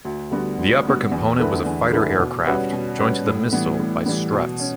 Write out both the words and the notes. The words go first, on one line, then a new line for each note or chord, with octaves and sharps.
The upper component was a fighter aircraft, joined to the Mistel by struts.
D2
D3 G3 B3 F#4
D2
D3 G3 B3 F#4
E2
D3 A3 E4 B4
E2
D3 A3 E4 B4
B2
G3 C#4 F#4 B4
B2
G3 C#4 F#4 B4
A2
E3 G3 B3
A2
E3 G3 B3
B2
C#4